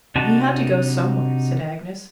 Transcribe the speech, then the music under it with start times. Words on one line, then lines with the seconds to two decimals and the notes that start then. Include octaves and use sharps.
"He had to go somewhere," said Agnes.
0.16 C3 D4 D#4 F#4 A5